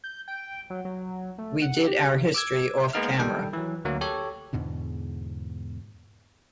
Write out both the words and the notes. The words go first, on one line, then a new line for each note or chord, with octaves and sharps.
We did our history off-camera.
G6
G5
F#3
F#3
A3
F#5
G4
D6 E6 G#6
G#3 A#3 B3 D#4 F5 F6
D#3 G3 A4 G5
E3 F#3
D2 F#3 A#3
G4 A4 C#5
E2 G#2 B2 D3